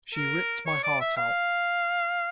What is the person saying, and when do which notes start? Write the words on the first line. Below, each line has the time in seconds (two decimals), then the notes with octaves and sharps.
She ripped my heart out.
0.15 A#4
0.66 C#5
0.83 D5
1.01 E5
1.17 F5